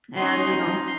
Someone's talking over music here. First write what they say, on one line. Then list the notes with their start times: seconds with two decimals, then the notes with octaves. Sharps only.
And, you know,
0.16 C#4 D#4 D#5 C6